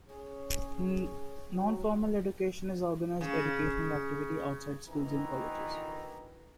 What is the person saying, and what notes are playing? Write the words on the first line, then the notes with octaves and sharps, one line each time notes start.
Non-formal education is organized educational activity outside schools and colleges.
C#4 G#4 C#5
C#3 F#3 C4
C#3
D2 D#3 E3 A#5